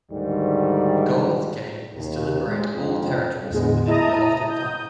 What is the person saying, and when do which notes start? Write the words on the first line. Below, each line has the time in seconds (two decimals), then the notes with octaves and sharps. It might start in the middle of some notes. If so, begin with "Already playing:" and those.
The goal of the game is to liberate all territories within the allotted time.
0.11 D2 G#2 D#3 G3
1.95 D#2
2.45 G#3
2.74 F2
3.50 E2 A2 D3 G#3 B3
3.86 E4 D#5 A5 A#5 D#6
4.49 D#6 G6